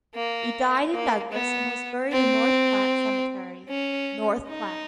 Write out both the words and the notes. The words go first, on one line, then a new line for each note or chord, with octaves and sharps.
He died in Douglas, and was buried in North Platte Cemetery, North Platte.
A#3
A#3
B3
C4
C#4
D#4